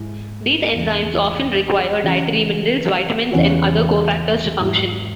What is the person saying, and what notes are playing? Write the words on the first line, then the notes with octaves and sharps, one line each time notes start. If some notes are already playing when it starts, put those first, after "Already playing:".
These enzymes often require dietary minerals, vitamins, and other cofactors to function.
Already playing: G#2 G#3 E4
E2 C#3 E3
C#3 E3 C#4 F#4
E2 C#3 E3 C#4 F#4
G#2 F#3 E4